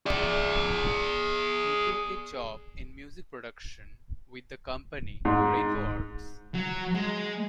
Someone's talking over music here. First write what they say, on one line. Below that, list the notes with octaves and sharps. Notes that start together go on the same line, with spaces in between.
He took a job in music production with the company Rainbow Arts.
G#4 D5
G#2
F#3
G#3